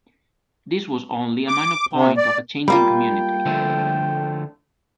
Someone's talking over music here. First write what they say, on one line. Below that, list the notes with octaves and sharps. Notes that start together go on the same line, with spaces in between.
This was only a minor point of a changing community.
D6
C3
D5
G3 A#3 F4 G5 B5
D3 F3 A3